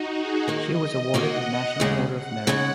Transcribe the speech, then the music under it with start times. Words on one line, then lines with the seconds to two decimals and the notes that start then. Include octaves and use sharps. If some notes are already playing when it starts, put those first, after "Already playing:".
She was awarded the National Order of Merit.
Already playing: D#4 F#4
0.14 G#4
0.48 D#3 A#3 F#4 D#5
1.14 D#3 A#3 F#4 F#5
1.80 D#2 C#3 G#3
2.13 F#5
2.47 D#2 C#3 G#3